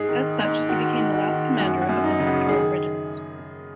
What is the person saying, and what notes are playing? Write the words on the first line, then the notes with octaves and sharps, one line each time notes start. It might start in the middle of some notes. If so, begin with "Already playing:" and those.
As such, he became the last commander of this historic regiment.
Already playing: G#2 G#4
D#3
G#2
D#3 F#4
D#3
F#4
D#3
F#2 F#4
F#4
F#2
D#4
C#3
F#4
D#3 G#4